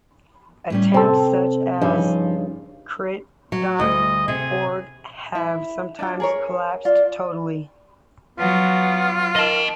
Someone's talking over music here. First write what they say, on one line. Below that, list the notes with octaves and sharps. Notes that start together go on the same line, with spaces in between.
Attempts such as crit dot org have sometimes collapsed totally.
A2 G3 C#4
C3 C4 A4
G2 C#3 F3 D#4
F#3
D2 G3 D#5
C3 G#4
E4
D4 E4 F4
G#4 A#4 C#5
F4 D5
F#3 B3 F4
D#3 D#5 A5